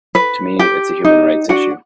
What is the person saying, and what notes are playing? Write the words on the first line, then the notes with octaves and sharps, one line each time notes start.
To me, it's a human rights issue.
B4
G4
D#4
D4 F#4 F#5